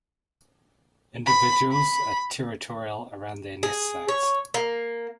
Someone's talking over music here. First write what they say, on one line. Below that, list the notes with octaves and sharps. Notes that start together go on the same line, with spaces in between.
Individuals are territorial around their nest sites.
B5
B5
G#4
C#5
A#3